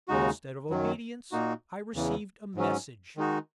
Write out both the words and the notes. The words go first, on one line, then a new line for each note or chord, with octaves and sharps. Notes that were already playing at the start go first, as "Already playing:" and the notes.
Instead of obedience, I received a message.
D#2 C#3 G#3 D#4 F#4
F#2 D#3 F#3
A#2 A#3 D#4 F#4
E2 C#3 E3
G#2 F#3 C#4
D#3 G#3 D#4 F#4